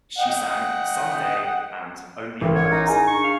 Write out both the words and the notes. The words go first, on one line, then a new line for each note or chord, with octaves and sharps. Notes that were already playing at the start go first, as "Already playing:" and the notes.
She sang "Some Day" and "Only a Rose".
D#5 F#5 G5
A1 A4 A#4
C#5 F#5
D#4 D#5
D#4 G#4 G#5
D4 C#6
F5